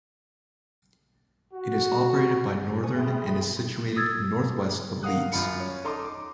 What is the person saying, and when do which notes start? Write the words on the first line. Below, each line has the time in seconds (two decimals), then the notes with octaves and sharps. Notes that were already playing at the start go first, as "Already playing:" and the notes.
It is operated by Northern and is situated north-west of Leeds.
1.53 F#4
2.84 C5 G#5 C#6 D#6
2.96 G#4 E5 G5 B5 C6 D#6
3.96 D#6 E6 G#6 A6
5.03 A#4 F5 F#5 D#6 F#6
5.32 F#2 F4 B5 C#7
5.60 C#4
5.84 D#4 A4 A#5 C6 D6 D#6
6.05 D6